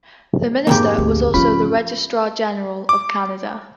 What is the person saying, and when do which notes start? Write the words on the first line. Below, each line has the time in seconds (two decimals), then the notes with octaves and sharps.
The minister was also the Registrar General of Canada.
0.67 F2 G#2 A#3 G4
0.98 D2
1.34 C#3 F3 C#4 F4 B5
2.89 D6